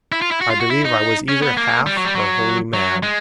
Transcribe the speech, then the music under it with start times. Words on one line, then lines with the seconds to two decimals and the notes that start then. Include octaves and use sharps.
I believe I was either half or wholly mad.
0.12 E4
0.22 F4
0.31 E4
0.41 F#4
0.50 F4
0.61 F#4
0.71 E4
0.85 D#4
1.29 C#4
1.42 B3
1.57 A#3
1.87 G3
1.96 F#3
2.05 G3
2.15 F#3
2.74 F#3
3.03 G#3